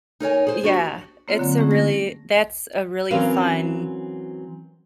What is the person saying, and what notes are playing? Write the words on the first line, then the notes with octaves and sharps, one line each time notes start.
Yeah, it's a really that's a really fun
D#4 A#4 C#5 G#5
G#4 C5
D4 F#4 G4
A#3 C4 F4 C#5
D3 F#3 A#3 C4
A3 C#4 E4 G#4
A#6
E3 F#3 C4 C#4 A#4 F5